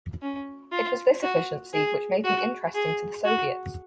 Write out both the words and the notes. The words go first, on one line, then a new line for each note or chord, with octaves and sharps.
It was this efficiency which made him interesting to the Soviets.
C#4
F4
F#4
G#4
F#4
G#4
F#4